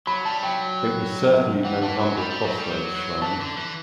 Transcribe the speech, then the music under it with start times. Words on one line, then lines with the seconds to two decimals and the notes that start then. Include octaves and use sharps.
It was certainly no humble crossroads shrine.
0.07 F#3 B5
0.25 G3 A5
0.42 F#3 G5
1.59 G5
1.65 E3 F#5
1.82 E3 A5
1.99 F#3 B5
2.17 G3 B5
2.30 G3
2.43 F#3
2.57 G3
2.70 F#3
2.96 F#3
3.22 E3 A5
3.40 D3
3.57 E3